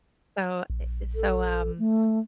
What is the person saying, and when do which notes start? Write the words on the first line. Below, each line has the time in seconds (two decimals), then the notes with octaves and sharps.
so eh, e so, um,
0.70 A#1
1.15 A4
1.79 A3